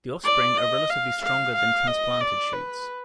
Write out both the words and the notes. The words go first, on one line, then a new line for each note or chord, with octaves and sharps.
The offspring are relatively stronger than transplanted shoots.
D5
D#5
F5
F5
F5
D#5
D5
B4